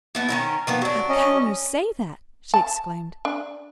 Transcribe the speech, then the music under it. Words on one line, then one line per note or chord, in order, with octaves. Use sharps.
"How can you say that?" she exclaimed.
A3 B3 E4
D#3 C#4 A#4
D#3 F3 B3
F#3 D4
C#4 D#5
A5
D4